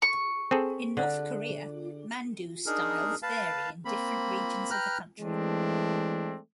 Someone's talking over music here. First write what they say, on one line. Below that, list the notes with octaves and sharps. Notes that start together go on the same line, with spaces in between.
In North Korea, mandu styles vary in different regions of the country.
C#6
C4 G#4 A4
D3
D4 D#4 G#4 A#4
B4 F5 A5
A#3 C4 B5
B4 G5 A#5 F6 F#6
E3 G#3 A3 C4 D4